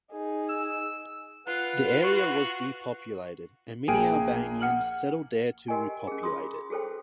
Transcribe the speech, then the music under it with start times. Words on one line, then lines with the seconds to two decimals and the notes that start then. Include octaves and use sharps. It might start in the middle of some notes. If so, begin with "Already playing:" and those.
The area was depopulated and many Albanians settled there to repopulate it.
0.11 D#4 G#4
0.49 E6
1.47 F4 B4 F#5
2.04 F#4
3.88 A#1 A#3 G#4 G5 G#5
4.60 F#5 F6 F#7
5.68 F#4 G4 A#4 D#5 G5 G#5
6.07 C#4 G#4
6.23 F4 G#4 C6 D#6
6.70 F#4 G#4 A4 C5 G5